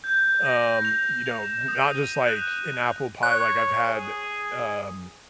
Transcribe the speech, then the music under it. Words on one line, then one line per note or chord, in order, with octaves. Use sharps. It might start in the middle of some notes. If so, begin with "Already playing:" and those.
um, you know, not just like an apple pie, like, I've had, um,
G6
G6
A#6
F7
F7
E7
D#6
D#7
F#6
C#5 F#6
G#4